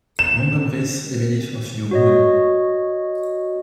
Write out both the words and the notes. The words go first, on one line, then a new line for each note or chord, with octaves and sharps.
Montgomery's Emily of New Moon.
E7
F#4 C#5 D#5